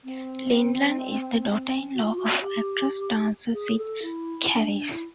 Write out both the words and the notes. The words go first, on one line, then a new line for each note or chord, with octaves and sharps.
Lindeland is the daughter-in-law of actress-dancer Cyd Charisse.
C4
F#4
F4
F#4
F#4
G4
G#4
A4
E4
D4
E4